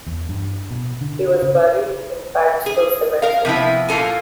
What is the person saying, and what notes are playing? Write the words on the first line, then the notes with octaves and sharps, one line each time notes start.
He was buried in Padstow Cemetery.
E2
G2
B2
D3
C#3
G#4
A#4 F5
C3 F3 B3 E4
A#2 A#3 F4 A4 G#5